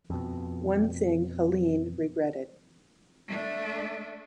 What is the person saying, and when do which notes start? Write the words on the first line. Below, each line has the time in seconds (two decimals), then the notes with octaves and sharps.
One thing Helene regretted.
0.10 F2 B2
3.28 A3 D4